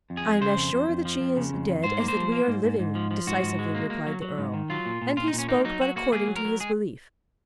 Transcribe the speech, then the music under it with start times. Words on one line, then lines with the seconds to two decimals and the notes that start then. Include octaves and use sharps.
"I am as sure that she is dead as that we are living," decisively replied the earl: and he spoke but according to his belief.
0.10 F2
0.17 G#4
0.26 G#3
0.41 C#3 C5
0.57 F2
0.73 F2
0.89 F2
1.05 F3
1.21 F2
1.36 C#3
1.53 F2
1.68 F2
1.84 G#2 C5
2.00 A#3
2.08 C5
2.16 F3
2.32 A#3
2.47 G#2
2.64 G#2
2.79 G#2
2.95 F3
3.11 F3
3.27 G#2 F#4
3.43 G#2
3.59 G#3
3.75 A#3
3.90 A#3
4.07 F#3
4.22 F#3
4.38 G#2
4.54 D#3
4.70 F#3 F4
4.86 A#2
5.02 A#2
5.17 A#2 F4
5.28 D#4
5.33 A#2
5.38 C#4
5.48 A#3 D#4
5.65 F#3 D#4
5.81 F#3 F#4
5.96 A#3 F#4
6.12 A#3 G#4
6.28 F#3
6.36 A#4
6.45 F#3
6.60 G#3 G#4